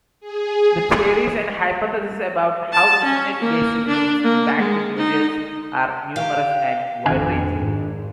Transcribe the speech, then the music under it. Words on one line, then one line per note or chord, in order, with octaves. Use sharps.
The theories and hypotheses about how Internet-based groups impact individuals are numerous and wide-ranging.
G#4
A5
C#4
A#3
D4
A#3
G#3
D#4
G4 F5 G5
G#1 F2 D4 G#5
G#1 G#2